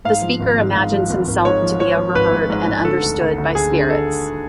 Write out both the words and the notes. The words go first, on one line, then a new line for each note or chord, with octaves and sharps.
The speaker imagines himself to be overheard and understood by spirits.
G#2 F5
F3
G#1
G#2
G#2
F3
G#1
G#1
G#2 C#5
F3
F3 C#5
F3
G#1 B4
G#2
G#2
G#2
D3 A4
D2
D2
D2
D2 G#4
D3
A4